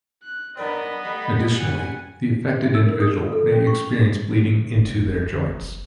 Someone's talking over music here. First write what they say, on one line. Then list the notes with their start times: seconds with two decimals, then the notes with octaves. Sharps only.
Additionally, the affected individual may experience bleeding into their joints.
0.23 F#6
0.57 F#2 B3 A#4 D5 D#5 B5
1.05 G3 A3
1.54 F#5 G#5
2.62 E5
2.75 E6
2.87 A#4
3.00 D#6
3.17 F4
3.32 A4
3.52 C#4
3.67 C#6
4.75 F#1
4.94 F2
5.06 F#1
5.21 C#2
5.33 D3
5.47 A1
5.62 F#1